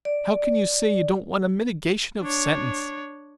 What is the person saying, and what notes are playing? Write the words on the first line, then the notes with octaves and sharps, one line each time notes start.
How can you say you don't want a mitigation of sentence?
D5
D4 C#5